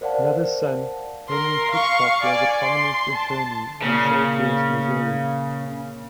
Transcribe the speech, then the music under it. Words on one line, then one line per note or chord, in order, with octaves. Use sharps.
Another son, Henry Hitchcock, was a prominent attorney in Saint Louis, Missouri.
A#4 C5 D5 F5 F#5 A5
A#4 C6
F5 C#6
D5 G#5
C6
A5
A#2 C#3 F5